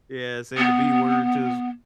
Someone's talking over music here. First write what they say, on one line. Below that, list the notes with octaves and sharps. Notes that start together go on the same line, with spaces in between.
Yeah, saying the b word to
B3